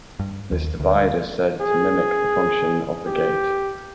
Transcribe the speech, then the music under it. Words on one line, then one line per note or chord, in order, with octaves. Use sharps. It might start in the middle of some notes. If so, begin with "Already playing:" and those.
This divide is said to mimic the function of the gate.
G2
D#2
D2
G#4
G4